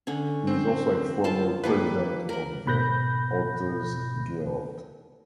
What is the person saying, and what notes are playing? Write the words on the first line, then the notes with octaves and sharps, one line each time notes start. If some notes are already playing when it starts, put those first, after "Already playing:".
He is also a former president of the Authors Guild.
D3 C#4
C4 C5
F4 F5 A5
F3 G3 A#3 B4
A#4 B5
G#2 B2 B5 F#6 G6 A#6